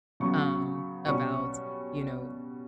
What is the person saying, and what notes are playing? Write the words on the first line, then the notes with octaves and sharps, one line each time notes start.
Um, about, you know,
C#3 F#3 B3 C#6
B2 G3 C#4 C#6